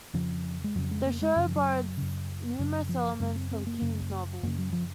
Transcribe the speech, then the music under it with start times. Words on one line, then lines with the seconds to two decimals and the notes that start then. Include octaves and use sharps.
The show borrowed numerous elements from King's novel.
0.14 F2 C#3 F3
0.64 G#3
0.75 F2 C#3 F#3
0.91 G#3
1.06 A#3
1.22 G#3
1.36 F#2 C#3 F#3
1.47 F3
1.56 F#3
1.97 F#2 C#3
2.59 F#2 C#3 F#3
2.89 F3
3.20 F#2 C#3 G#3
3.36 C4
3.51 C4
3.67 A#3
3.82 F#2 C#3
4.43 F#2 C#3 A#3
4.58 F#3
4.73 F3